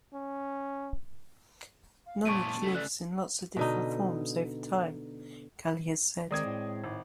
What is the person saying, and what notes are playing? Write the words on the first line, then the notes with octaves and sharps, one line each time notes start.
"Knowledge lives in lots of different forms over time," Kahle has said.
C#4
F5
F#2 A#2 A5 C#6 D7 D#7
C#3 A3
D5 F#6
B2 D3 D#4
D#3 G#3 C4 D5 D#6 G#6
A2
G#1